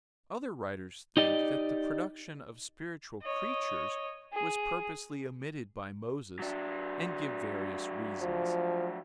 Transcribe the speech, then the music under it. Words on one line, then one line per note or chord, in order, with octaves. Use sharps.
Other writers think that the production of spiritual creatures was purposely omitted by Moses, and give various reasons.
D#4 G4 D5 D#5
C#5 D#5
G#4
F#3 D4
F3